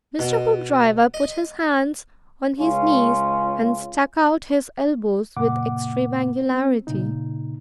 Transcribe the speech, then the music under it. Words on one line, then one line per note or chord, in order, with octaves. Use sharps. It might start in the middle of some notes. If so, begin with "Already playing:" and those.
Mr. Hoopdriver put his hands on his knees and stuck out his elbows with extreme angularity.
B2
D#5
C#2 C#4 F4
F#2 A#2 C#3 A#3 F#5 D6
C4
A#2 C#3 D#4